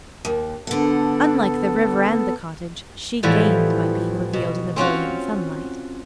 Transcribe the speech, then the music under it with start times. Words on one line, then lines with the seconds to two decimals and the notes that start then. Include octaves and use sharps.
Unlike the river and the cottage, she gained by being revealed in the brilliant sunlight.
0.25 D#2
0.67 D3 B3 A4 F#5
3.23 A2 E3 F3 G3 B3
4.33 B2
4.76 C4 C#4 F4 F#4